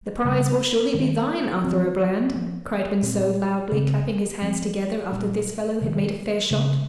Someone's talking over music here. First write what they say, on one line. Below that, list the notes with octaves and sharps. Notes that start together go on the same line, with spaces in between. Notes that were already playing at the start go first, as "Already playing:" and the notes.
"The prize will surely be thine, Arthur-a-Bland," cried Monceux, loudly clapping his hands together after this fellow had made a fair shot.
C#3 G3 A#3
D#3 G#3 C4
F3 C4
F3 A#3 C#4
A#2 G#3 C4
C#3 G#3 C4
F3 G#3 C4
A#2 G3 C#4
C3 D#3 G#3 C#4
C#3 G#3 C#4